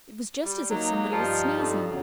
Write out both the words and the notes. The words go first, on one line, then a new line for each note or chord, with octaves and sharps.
It was just as if somebody was sneezing.
G3
F#3 A#3 D#4
G2 F3 G3 D#4
F2
E2 C#3 F#3